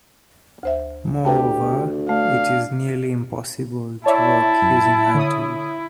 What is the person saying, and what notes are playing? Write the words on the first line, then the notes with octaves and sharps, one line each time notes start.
Moreover, it is nearly impossible to work using hand tools.
D2 C5 E5
D2 G4 B4 G5 A5
A3 D4 F5
E4 C#5 D5 E5 A5
F#2
D3 C#5 D#6